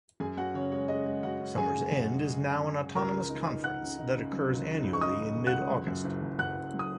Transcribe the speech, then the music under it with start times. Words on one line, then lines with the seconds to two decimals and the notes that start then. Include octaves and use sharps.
Summer's End is now an autonomous conference that occurs annually in mid-August.
0.20 F#2 G#4 G#5
0.37 C#4 F#4 F#5
0.54 C#3 C#5
0.72 G#3 C#5
0.88 G#3 D#5
1.06 G#3
1.23 C#3 F#4 F#5
1.41 C#4
1.57 F#2 G#4 G#5
1.75 C#3
1.92 F#2
2.09 G#3
2.27 C#3
2.44 C#4
2.61 C#3
2.77 C#4
2.95 C#2 A#4 A#5
3.12 C#2
3.29 D#4
3.46 D#4
3.64 D#4 F#5 F#6
3.81 C#3
3.99 D#4
4.15 C#3
4.32 F#3
4.50 C#2
4.67 D#4
4.84 C#2
4.93 C#6
5.01 C#3 D#5 D#6
5.19 C#3
5.36 C#3
5.47 F#5 F#6
5.52 C#2
5.70 F#3
5.87 F#2
6.04 F#1
6.22 F#2
6.39 F#2 F#5 F#6
6.56 F#1
6.74 F#3
6.79 D#6